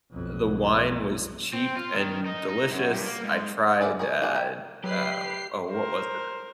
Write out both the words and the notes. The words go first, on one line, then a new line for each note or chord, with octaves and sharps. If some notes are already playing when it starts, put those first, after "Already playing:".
the wine was cheap and delicious. I tried, uh, uh, oh, what was it?
B1 F2
C4
F4
D#3
D#4
D#4
F#2
G2
A#3
G#2
G#4 B4 D5 E5 F#5
G#4 A#4 C#5
A#3 D4 F#4 G#4 A#4
G4 A#5
F#3 G4 B4 C7
A#4 C5